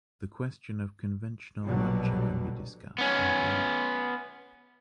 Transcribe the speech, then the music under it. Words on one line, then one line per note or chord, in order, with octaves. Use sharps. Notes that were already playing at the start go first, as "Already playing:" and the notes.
The question of conventional rupture can be discussed, indeed.
A#1 B2 D3 F#3 G3
B3 C#4